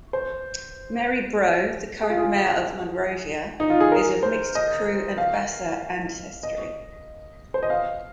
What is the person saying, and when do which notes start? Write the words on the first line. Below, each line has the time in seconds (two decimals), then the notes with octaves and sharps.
Mary Broh, the current mayor of Monrovia, is of mixed Kru and Bassa ancestry.
0.13 C5
2.03 G#4
2.10 F4
2.18 G#4
3.60 D#4
3.70 F4
3.80 G#4
3.92 A#4
4.23 C5
4.55 D#5
5.18 F5
6.43 D#5
7.54 C5
7.63 D#5
7.70 F5